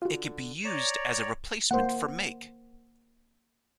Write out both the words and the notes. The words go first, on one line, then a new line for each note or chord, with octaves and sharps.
It can be used as a replacement for make.
D3 F4 F#4
C#5 D5 A#5
A#3 C5 F#5